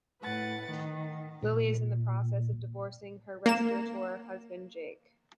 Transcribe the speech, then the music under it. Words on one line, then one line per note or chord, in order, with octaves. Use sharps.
Lily is in the process of divorcing her restaurateur husband, Jake.
A2 B4 F#5 A6
D#3
A#2
A#3 E7